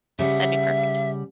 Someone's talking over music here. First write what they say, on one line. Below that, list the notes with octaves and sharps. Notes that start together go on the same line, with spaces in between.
That'd be perfect.
C#3 G3 E5 F#5